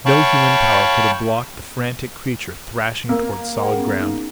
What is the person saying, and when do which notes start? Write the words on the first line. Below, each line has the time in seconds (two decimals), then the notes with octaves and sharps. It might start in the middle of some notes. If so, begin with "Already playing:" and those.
No human power could have blocked the frantic creature thrashing toward solid ground.
0.06 C#5 F5 G5 A5 B5 C#6
3.09 A#3 E6
3.61 G#4 F#5 G5
3.75 B3 C#4
4.00 D#4